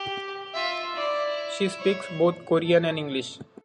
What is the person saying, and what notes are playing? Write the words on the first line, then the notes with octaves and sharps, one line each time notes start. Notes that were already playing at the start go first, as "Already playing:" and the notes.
She speaks both Korean and English.
Already playing: G4
F4 E5
E4 D5
C#5
A4